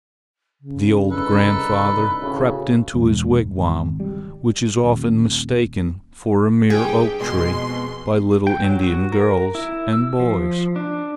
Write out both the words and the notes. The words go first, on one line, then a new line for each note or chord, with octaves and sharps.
The old grandfather crept into his wigwam, which is often mistaken for a mere oak tree by little Indian girls and boys.
C#3
C2 D4 D#4 A4 B4
D2 A2 C#3 F#4
E1
G#1
G3
D#1
G2 G4 G#4 G5
F2 B2 G#3 C6
G5
F#3
F#4
A#4
E4
E6
F3
D4